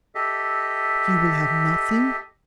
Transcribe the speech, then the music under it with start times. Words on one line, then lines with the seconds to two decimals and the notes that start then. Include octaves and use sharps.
"You will have nothing!"
0.15 G4 A4 D#5 E5